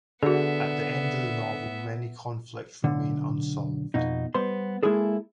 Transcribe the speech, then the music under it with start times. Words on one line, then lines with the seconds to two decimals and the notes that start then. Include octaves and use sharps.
At the end of the novel, many conflicts remain unresolved.
0.23 D3 B3 F#4 G#4 E5
2.84 B1 D3
3.94 F2 B2 D#4
4.34 G3 B3 C5 C6
4.83 G#3 A#3 E4 G#4 A4